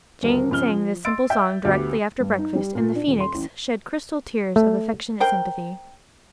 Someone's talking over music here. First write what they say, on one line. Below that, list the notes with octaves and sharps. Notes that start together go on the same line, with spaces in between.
Jane sang this simple song directly after breakfast, and the Phoenix shed crystal tears of affectionate sympathy.
D#1 D2 A#4
C#3 F3 F6 G7
F3
C6 E6 A6 D7
E5 G5 G6
D2 B3 G4 D6
G2
D#4
G3
A#2
D4
D#1
C6
A1
A3
A#4 C5 G5